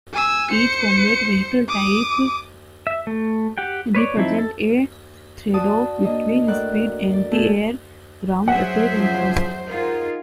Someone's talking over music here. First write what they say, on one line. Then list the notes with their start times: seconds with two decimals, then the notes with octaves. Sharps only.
Each combat vehicle type represents a tradeoff between speed, anti-air, ground-attack, and cost.
0.13 G#5 E6
0.51 C5 C#7
1.68 D6 D#6
2.87 E5
3.07 A3
3.58 G4 F#5 G5
3.95 B4 C#5 D5
4.17 F3 C4 D#4 E4
4.38 A4
5.53 F#4 D5 A5 D#6
6.05 A#3 D4 D#5
6.47 A2 F#4 A#4 D5 F#6
7.13 D5
7.31 A3 G#4 A4
8.48 F#3 G#4 C5 E5 F#5
8.94 C#3 F3
9.68 D#4 F4 G#4 A#4